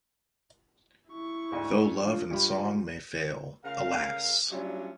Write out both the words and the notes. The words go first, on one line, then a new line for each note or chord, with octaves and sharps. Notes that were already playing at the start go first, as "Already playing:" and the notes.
Though love and song may fail, alas!
E4 C#6
D2 G#2 C5
F3 D4 F4
G2 G4 B5
C#3 A3 A#4 F5
F#3 G3 A3 C#4 D4 F4